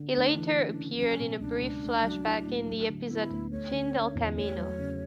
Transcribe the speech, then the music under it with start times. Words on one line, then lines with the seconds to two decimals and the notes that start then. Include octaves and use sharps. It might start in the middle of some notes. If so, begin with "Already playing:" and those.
He later appeared in a brief flashback in the episode Fin Del Camino.
Already playing: D3
0.14 A3 D4
0.35 E3
0.56 C#4
0.77 C#3
0.98 F#3 C#4
1.19 B2
1.40 C#2 D4
1.61 C#2
1.83 A3
2.03 F#3
2.25 E4
2.46 A2
2.67 F#3
2.89 D3
3.09 B3 E4
3.31 D2
3.52 A3 C#5
3.73 D3
3.94 C#4
4.15 E2
4.36 A3 C#5
4.57 F#3
4.78 C#3